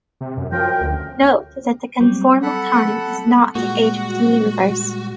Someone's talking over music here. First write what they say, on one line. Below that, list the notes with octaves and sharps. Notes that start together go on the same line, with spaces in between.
Note that the conformal time is not the age of the universe.
C3
F#2
F#2 F3 A#4 G5
D2
F#3 G3 C4
A4 F#5 B5
A#2 G3 G#3 F#4 F#5